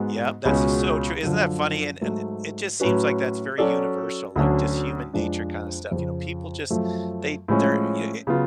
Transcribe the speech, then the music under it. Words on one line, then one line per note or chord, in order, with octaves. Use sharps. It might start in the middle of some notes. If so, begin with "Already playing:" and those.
Yep, that's s so true, isn't that funny, and and it just seems like that's very universal, like, just human nature kinda stuff, you know? People just they they're y
Already playing: G#2 G#3 B3 F#4
C#2 B2 G#3 C#4 F#4
F#2 D3 F3
G#2 F#3 A3
A2 F#3 C#4 F#4 B4
F#3 C#4 F#4 A4 D5
D2 D3 F#3 C#4
F2 F3 G#3 D4
F2 C#3 F3
F#2 F3 A3
A2 F3 G#3 C#4
C#3 F#3 B3 F4